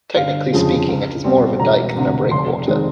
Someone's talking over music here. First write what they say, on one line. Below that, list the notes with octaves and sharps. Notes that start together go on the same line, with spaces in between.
Technically speaking, it is more of a dike than a breakwater.
G1 F5
F2 C#3 F3 G#3
C#2
B2 G3 C4
E1 A#5
D2 C3
F1 C6
D#3 G#3 C4